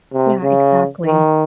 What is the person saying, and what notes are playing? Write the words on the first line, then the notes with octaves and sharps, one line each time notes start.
Yeah. Exactly.
C3
C#3
D#3